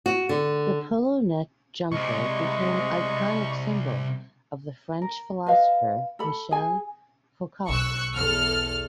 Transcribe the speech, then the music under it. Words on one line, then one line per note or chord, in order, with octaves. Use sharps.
The polo neck jumper became an iconic symbol of the French philosopher Michel Foucault.
F#4
D3
C2 C3 G#3 C#6
A#4
B4 D#5 F5
A4 B5
G#4 G#5
B1 C#6 E6 F#6
E2 A4 F6